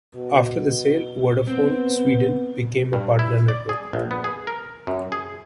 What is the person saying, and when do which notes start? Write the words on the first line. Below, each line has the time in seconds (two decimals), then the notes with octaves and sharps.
After the sale, Vodafone Sweden became a partner network.
0.15 B2
1.47 B3 C4
2.93 G2
3.19 E4
3.48 D5
3.69 G#4
3.93 A#1
4.11 B3
4.24 G#4
4.47 A#4
4.87 F#2
5.12 G#4